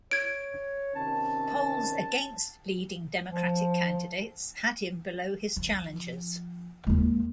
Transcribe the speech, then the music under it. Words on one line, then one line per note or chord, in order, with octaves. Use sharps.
Polls against leading Democratic candidates had him below his challengers.
C#5 G#6 D7
C3 D#3 C#4 A5
F3
F3
D#2 G#3